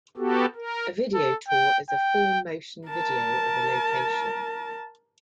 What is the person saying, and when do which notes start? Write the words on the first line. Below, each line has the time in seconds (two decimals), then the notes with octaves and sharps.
A video tour is a full motion video of a location.
0.17 B3 F#4 G4 A4
0.55 A#4
1.14 A4
1.48 G5
1.90 G5
2.87 A#4 A5